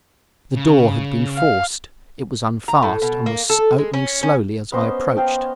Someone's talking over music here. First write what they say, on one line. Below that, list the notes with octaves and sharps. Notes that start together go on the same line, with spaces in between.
The door had been forced; it was unfast and was opening slowly as I approached.
C#3
F5
A#5
A2
B2
A#3
A4
G#3
C#4
C#4
B3 C#4 C5 D#5
F5 G5 A5